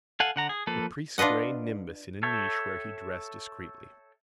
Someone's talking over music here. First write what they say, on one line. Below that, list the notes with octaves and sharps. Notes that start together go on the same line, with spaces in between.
The priest's grey nimbus in a niche where he dressed discreetly.
A4 F5 F#5 G#5
D3 F#5 A#5
G#4
F3 A#3 A4 B4
D4 F4 B4 D#5 F#5
A4 C#5 E5 G5